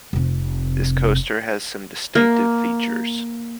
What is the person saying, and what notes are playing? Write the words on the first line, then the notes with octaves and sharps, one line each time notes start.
This coaster has some distinctive features.
F1 C3
A#3